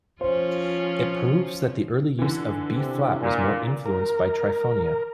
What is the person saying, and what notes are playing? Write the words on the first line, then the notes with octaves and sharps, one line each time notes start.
It proves that the early use of b flat was more influenced by triphonia.
F3 C#4 F4 C5
D3 E3
C3
A#2
A#4